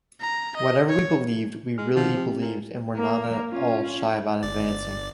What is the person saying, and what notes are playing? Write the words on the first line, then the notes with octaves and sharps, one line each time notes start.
Whatever we believed, we really believed and were not at all shy about advancing.
A#5
D#5
C#5
G#3 F6
B2 D#3 F3 F#4
C4 G4
A#2
A#3 A#4
C#4 F4
G1 D5 A6